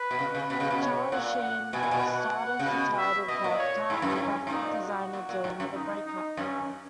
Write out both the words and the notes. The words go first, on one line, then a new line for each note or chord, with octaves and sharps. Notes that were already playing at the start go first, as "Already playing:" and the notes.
Charlie Sheen starred as the title character, a graphic designer dealing with a break-up.
Already playing: B4
B2
C#3
C#3
B2 B4
C#3
B2
C#5
A#2 F#5
F#5
B2 G#5
A#2
B2
F#5
C#3
B2
E5
B2 D#5
A#2
C#5
G#2 E4
F#2
G#2 C#4
G#2
A#2 D#4
F#4
A#2
A#2
G#2
F#2
D#4
D#4
F#2 C#4